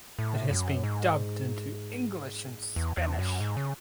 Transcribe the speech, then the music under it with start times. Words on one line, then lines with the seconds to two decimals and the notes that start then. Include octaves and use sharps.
It has been dubbed into English and Spanish.
0.19 A2
0.51 F#2
0.84 G#2
2.76 E2
2.97 E2
3.19 F#2
3.41 G#2
3.57 C#3